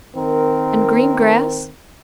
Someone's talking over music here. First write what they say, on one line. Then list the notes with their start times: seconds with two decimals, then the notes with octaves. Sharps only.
"And green grass?"
0.16 D#3 C4 A#4